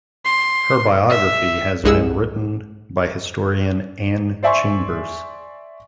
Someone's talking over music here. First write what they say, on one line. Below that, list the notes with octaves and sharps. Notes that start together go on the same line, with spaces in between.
Her biography has been written by historian Anne Chambers.
C6
E5
C2 G2 G#3 G#4 F#5 E6
C5 D5 E5 G#5 C6 C#6